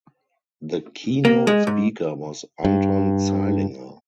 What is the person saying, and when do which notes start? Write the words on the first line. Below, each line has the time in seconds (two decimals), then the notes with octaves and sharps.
The keynote speaker was Anton Zeilinger.
1.25 A#3
1.47 G#3
1.67 G#2
2.65 G2